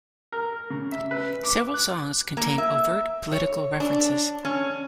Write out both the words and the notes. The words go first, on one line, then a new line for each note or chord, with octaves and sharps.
Several songs contain overt political references.
A#4
C#3
E5
B4
D6
F#6
A#3
E5
C#5
D4
C#4